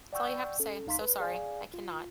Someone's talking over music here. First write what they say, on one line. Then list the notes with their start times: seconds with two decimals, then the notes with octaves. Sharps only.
That's all you have to say, "So sorry, I cannot."
0.13 D5 F#5 G5 C#6 E6 G6
0.60 C#4 A4
0.87 C2 D#4 F5 A#5 C6 B6
1.01 B4
1.20 G#4 D5 F5 G#5
1.74 F4